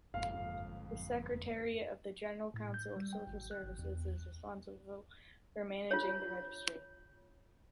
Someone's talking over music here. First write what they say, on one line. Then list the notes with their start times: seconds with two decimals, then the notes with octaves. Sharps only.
The secretariat of the General Council of Social Services is responsible for managing the registry.
0.14 G1 F2 G#2 A#3 F5
2.54 A2
2.74 G6
2.96 G3
3.13 G5
3.27 G#1
3.51 F#6
3.64 G#1
3.79 E2
5.91 F4 C#5